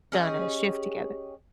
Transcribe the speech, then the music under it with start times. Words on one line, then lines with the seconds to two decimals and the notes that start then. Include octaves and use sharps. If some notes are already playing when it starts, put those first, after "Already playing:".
done a shift together-
0.12 C#4 G4 G#4 D#5